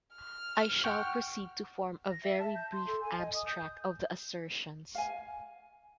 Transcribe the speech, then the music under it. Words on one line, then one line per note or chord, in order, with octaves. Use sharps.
I shall proceed to form a very brief abstract of the assertions.
F6
F#5 G5 C#6
A#6
E5
A5
G6
C6
A4
G#5
D#5
D#6
G6
F5 G#5